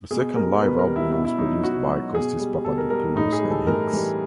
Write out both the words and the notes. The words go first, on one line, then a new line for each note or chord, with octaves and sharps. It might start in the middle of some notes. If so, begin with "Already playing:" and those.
The second live album was produced by Costis Papadopoulos and Hicks.
B2 G#4
G3 A#4
B2 B4
A#4
G3
E4
B2 E4
E4
F#3 D#4
B2 F#4
F#3
B2 G#4
G3
B2 A4
A#4
G3 A#4
A2 D#4
G#4
E3 G3
A4
A2 A#4
E3 G3